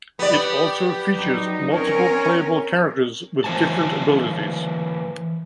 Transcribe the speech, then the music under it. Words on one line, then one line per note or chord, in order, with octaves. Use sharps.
It also features multiple playable characters with different abilities.
B3 G4 D5
F#3 D#4
C4 C#4 A#4
E3 F#3 C5 G#5 A5